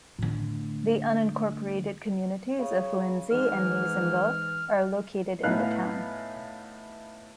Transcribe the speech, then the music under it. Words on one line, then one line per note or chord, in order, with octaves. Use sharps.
The unincorporated communities of Lindsey and Nasonville are located in the town.
A2 D3
C#3
G#2 E3 F6
A2 B3 D#4 F5 G#5 F#6